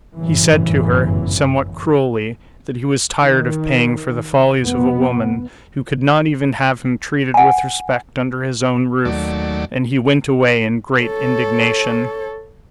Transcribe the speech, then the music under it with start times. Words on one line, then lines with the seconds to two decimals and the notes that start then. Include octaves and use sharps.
He said to her, somewhat cruelly, that he was tired of paying for the follies of a woman who could not even have him treated with respect under his own roof, and he went away in great indignation.
0.17 G1 F#2 A2 C#3 E3
3.22 D#3
4.59 F1 B3
7.34 F#5 G#5
9.05 D#2 F#3 A3 D5
11.01 A4 C#5